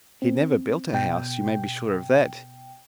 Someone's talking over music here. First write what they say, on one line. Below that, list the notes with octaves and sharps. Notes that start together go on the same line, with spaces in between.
He never built a house, you may be sure of that.
C4
B2 G5